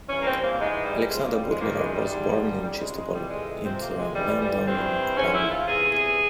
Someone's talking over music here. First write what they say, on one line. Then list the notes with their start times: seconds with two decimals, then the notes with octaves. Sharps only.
Alexander Butlerov was born in Chistopol into a landowning family.
0.09 G2 E3 C#4
0.21 A#3
0.26 C4
0.42 A#3
0.60 G#2 E3 G#3
0.85 G3
1.10 F2 C#3 F3 G#3
1.23 A#3
1.35 G3
1.49 G#3
1.61 G2 E3 A#3
1.78 G#3
1.95 G3
2.11 G#2 F3
2.62 F2 C#3 E3 G3
2.80 G#3
2.96 G#3
3.13 F2 C3 E3 G3
3.30 G#3
3.64 F2 C3 F3 C4
3.81 A#3
3.98 G#3
4.15 F2 E3 G3
4.40 G3
4.65 G2 E3 C4
5.16 G#2 E3 C#4
5.33 E4
5.50 F4
5.67 E2 C3 E3 G#4
5.92 G#4